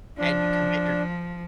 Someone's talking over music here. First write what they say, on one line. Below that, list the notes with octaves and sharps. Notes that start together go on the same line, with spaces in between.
and you commit your
F3 D4